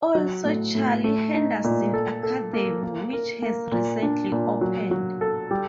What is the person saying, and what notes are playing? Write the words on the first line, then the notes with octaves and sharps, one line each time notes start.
Also Charlie Henderson Academy, which has recently opened.
F#3
A2
A2
A3
D#4
A#2
A4
A4
A#3
A#3
A#4
A#3
A#2
D4
A#2
F#3
F#3
A4
G3